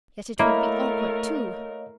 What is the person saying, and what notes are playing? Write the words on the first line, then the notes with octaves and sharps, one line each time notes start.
Yet it would be awkward too.
A3 A#3 E4 A#4 C#5 D#5 F5